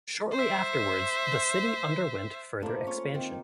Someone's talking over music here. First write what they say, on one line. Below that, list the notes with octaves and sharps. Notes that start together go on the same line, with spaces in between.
Shortly afterwards, the city underwent further expansion.
C5 E5
F3 A3 A#3 D4 E4 D6
C#4 F4 C#6
D#3 C4